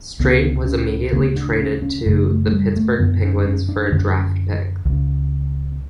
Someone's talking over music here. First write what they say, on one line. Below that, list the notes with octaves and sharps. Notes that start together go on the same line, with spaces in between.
Streit was immediately traded to the Pittsburgh Penguins for a draft pick.
C#2 C#3 B3
C#4
D2 C#3 B3
D4
C#4
C#4
F#2 C#3 A3
A3
A3
G3
A3
F#2 D3 B3
C#4
C#4
D4
F#2 D3 C#4
C#2 C#3